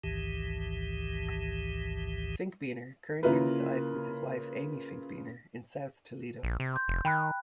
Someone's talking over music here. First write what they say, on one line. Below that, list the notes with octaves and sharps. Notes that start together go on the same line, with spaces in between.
Finkbeiner currently resides with his wife, Amy Finkbeiner, in South Toledo.
A1 D2 G#2 D#3 E3 G4
C#3 A#3 E4 F4 A#4 B4
A#1
C3
C6 G6
F1
D#3 G5 B5 F#6